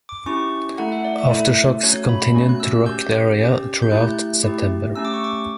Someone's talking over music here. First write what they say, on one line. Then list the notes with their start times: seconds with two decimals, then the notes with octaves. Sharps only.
Aftershocks continued to rock the area through September.
0.09 D6
0.26 C#4 E4 G4 C#6
0.78 A3 E4 A4 F#5
0.92 E5
1.04 D5
1.18 E5
1.31 A3 E4 A4
1.83 A3 C#4 F#4 C#5
2.09 B5
2.35 A3 C#4 F#4
2.49 F#6
2.60 E6
2.86 C#4 G4 G6
3.39 C#4 G4
3.82 G6
3.91 A3 E4 G4 F#6
4.43 A3 E4 G4
4.95 A3 C#4 G4 E6
5.05 D6
5.14 C#6
5.24 D6